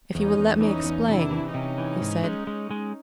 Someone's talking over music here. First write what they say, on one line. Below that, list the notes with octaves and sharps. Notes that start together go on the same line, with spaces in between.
"If you will let me explain," he said.
E2 C#4 D#4
E2
E3 C#4 D#4
E2
C3 D4 E4
E3
C3 C#4 D#4
E3
G#2
G#3
G#3
G#3